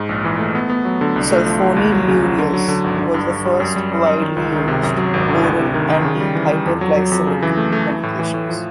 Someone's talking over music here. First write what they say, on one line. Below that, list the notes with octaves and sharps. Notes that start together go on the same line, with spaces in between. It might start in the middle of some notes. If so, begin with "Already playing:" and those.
Sulfonylureas were the first widely used oral anti-hyperglycemic medications.
Already playing: G#2
A#1
E3
A3
B3
B3
F#3
D3
C2
A3
F3
C2
D#2
F#3
C#3
F#3
D3
F#3
D3
G#1
D3
G2
G2
G3
F#2
G3
F#2
F#2
D#3
C#2
D#3
C3
F#2
F#3
G#1
D3
D2
C3
D#3
D#3
C#3
G3
E3
G3
F2
F#3
F#3
F2
C#3
E3
A3
A3
E3
A2
E3
A2
F3